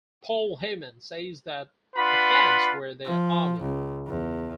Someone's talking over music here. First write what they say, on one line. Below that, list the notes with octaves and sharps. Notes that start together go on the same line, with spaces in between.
Paul Heyman says that the fans were their army.
D4 F4 B4 F#5 B5 C6
F3
C#2
E2